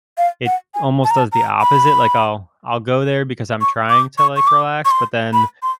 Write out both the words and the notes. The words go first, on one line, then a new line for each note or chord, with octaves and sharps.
it almost does the opposite. Like, I'll I'll go there because I'm trying to, like, relax, but then
F5
F#5
G#5
A5
A#5
A5
A#5
B5
C#6
D6
C#6
C#6
D6
C#6
C6
B5
C6